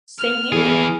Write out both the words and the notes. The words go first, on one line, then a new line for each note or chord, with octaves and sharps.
Same here.
F6
E2 E3 G#4